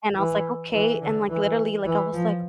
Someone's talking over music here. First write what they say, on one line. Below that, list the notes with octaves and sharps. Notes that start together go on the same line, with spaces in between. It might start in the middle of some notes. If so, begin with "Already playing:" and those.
and I was like “Okay,” and, like literally, like I was, like,
E3
E3
D3
E3
E3
F3